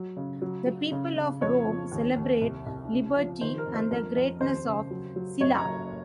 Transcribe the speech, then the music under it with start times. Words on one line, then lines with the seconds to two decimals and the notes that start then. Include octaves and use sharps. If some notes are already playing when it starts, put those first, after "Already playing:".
The people of Rome celebrate liberty and the greatness of Silla.
Already playing: F#3
0.17 C#3
0.42 F#3
0.67 F#3
0.92 C#3
1.16 C#3
1.41 F2 C#5
1.66 F3
1.92 D#2
2.16 D#2
2.41 C2
2.66 C2
2.92 C#3
3.16 F3
3.41 D#3 C5
3.58 A#4
3.66 F2
3.74 C5
3.91 F2 A#4
4.16 F2
4.41 D#2 C5
4.66 C#3
4.91 F#3
5.16 F#3
5.41 F#2 C#5
5.58 A#5
5.65 F#1